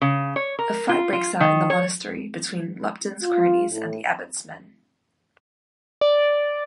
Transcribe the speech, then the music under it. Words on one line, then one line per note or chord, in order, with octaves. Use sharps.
A fight breaks out in the monastery between Lupton's cronies and the Abbot's men.
C#3
C#5
A#4
F4
F4
D#3
C#5
F4
A2
D5